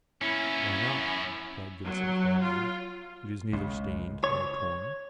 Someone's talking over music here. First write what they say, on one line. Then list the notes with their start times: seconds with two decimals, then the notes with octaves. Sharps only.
"Why not?" replied Vincent quietly; "it is neither stained nor torn."
0.21 A#3 B3 C#4 E4 C#6
0.97 F#2
1.85 F#3
2.42 F4
3.53 C#2
4.24 C#5